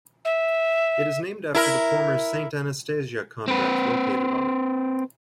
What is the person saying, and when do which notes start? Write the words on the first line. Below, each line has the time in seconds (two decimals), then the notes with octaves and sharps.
It is named after the former Saint Anastasia convent located on it.
0.25 E5
1.55 E4 A#4
3.48 C4 B4